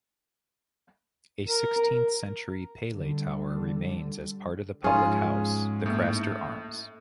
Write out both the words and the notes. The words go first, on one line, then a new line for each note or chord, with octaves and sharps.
A sixteenth-century pele tower remains as part of the public house, "The Craster Arms".
A#4
D3 G3
G#2 F3 C#4 F4 G#4
A2 A#3 G6